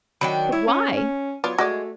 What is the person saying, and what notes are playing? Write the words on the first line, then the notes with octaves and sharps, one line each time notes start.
But why?
D#3 F#3 D4 G5 B5
E4 C#5
C#4
C#4
F#3 B3 F4 C#5 D5
G#3 A3 F#4 G#4 D5